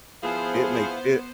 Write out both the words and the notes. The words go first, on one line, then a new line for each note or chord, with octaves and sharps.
it makes it
F3 B3 E4 G#4 C5 F5